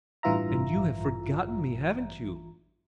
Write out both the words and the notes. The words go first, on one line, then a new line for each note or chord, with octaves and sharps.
And you have forgiven me, haven't you?
A1 G2 E3 F4 E5 A#5